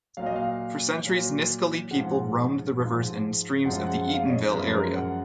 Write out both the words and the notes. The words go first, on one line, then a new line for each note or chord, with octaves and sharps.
For centuries, Nisqually people roamed the rivers and streams of the Eatonville area.
A#2 F#3 F5
D#5
F5
A#2 F#3
G#2 F3 G#3 F#5
G#2 F3 G#3
F#2 F3 G#3 F#5
F#5
F5
C#5
D#5
F#2 F3 G#3 B4
A#4
F#5